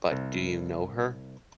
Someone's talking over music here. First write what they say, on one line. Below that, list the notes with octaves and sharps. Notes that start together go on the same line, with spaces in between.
But do you know her?
C2